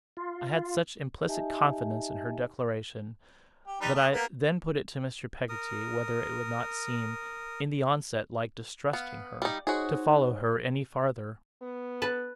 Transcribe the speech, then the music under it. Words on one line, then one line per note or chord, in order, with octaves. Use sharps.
I had such implicit confidence in her declaration, that I then put it to Mr. Peggotty, whether it would not seem, in the onset, like distrusting her, to follow her any farther.
F4
D#4 G4 D#5 E5 G#5 A5
G4
G3 D#4 B4
A3 D#6
A#3 B3
A#4 D#6
B3 F5
G3 D#4
D#4 F#4 G#4 C5 C#5
B3
B4 A5